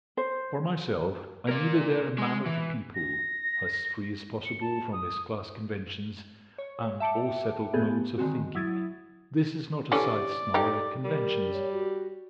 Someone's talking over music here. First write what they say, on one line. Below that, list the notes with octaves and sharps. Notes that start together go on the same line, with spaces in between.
For myself I needed there a Man of the People as free as possible from his class-conventions and all settled modes of thinking. This is not a side snarl at conventions.
C5
A#4 D5
G#3
E3
A#6
C#7
A5
D#6
C#5
E5 G5 A5 D6 C#7 D7
G2 A3 B3 G#4 A4 G6
D3 D#3 G#3 C4 F#4
F#3 E4 D#6 G#6 A6
D3 E3 C#4 G4 D5
D#4 G4 A4
G3 A#4
C#5
F#4